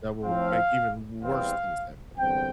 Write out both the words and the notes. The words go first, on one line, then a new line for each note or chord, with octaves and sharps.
that will make even worse things happen
A2 F3 C4 F5
E2 E3 G3 C4 F5
E2 D3 G3 C4 G5